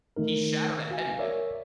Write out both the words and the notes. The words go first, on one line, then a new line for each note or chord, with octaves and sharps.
He shattered a heavy bag.
D#3 A3 D#4 A#4
F#4 F5 G#5
A#4 C#5 D5 E5